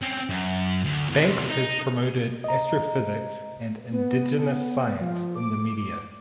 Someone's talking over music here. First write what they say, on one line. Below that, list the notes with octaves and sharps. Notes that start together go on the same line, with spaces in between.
Banks has promoted Astrophysics and indigenous science in the media.
C4 C#4
F#2
D2
E2 C3
D#4
D#5 A#5
B3
F3
D6